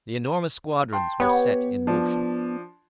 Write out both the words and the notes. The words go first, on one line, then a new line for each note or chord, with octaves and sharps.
The enormous squadrons were set in motion.
G5 A5 C6
B3 G4 C#5
F3 D4